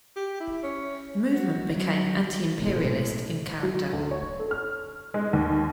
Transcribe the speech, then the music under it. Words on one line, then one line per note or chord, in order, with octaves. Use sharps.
The movement became anti-imperialist in character.
G4
E4
C#4
F#4
F#3
B1 A2 C3 G#3
F#3
D2
C#5
A4
F6
G#3
D#2